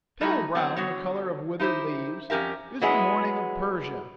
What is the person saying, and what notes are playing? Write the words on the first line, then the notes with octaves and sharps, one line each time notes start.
Pale brown, the color of withered leaves, is the mourning of Persia.
G3 A3 D#4 E4 F#4
F#3 B3 C4 F#5
D3 B3 F#4 C#5
D#4 E4 G4 C5
F2 C#4 G4 A#4 E5
F#3 G#3 B3 E4 G#4